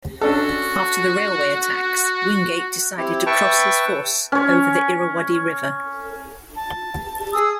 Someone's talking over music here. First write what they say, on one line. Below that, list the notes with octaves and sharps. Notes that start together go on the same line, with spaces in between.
After the railway attacks, Wingate decided to cross his force over the Irrawaddy River.
C#4 D4 F#4 A4
C4 E4 G4
B4 E5 G5 A5 C#6
C#4 C#5
A5
G#4 G#5 D#6 E6